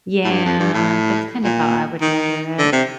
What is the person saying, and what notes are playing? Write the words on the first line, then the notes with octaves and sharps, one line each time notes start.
Yeah, that's kind of how I would measure it.
A2
G2
F2
G2
A2
A#2
D#3
D3
C3